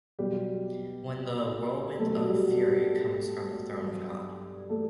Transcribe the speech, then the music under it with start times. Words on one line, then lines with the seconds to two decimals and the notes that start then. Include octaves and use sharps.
When the whirlwind of fury comes from the Throne of God.
0.19 B2 F#3 G3 G4
1.99 B2 F#3 A3 A4
2.20 F#4
2.29 G3 G4
2.48 F#4
2.59 G3 G4
3.80 G2 F#3
4.70 A3 A4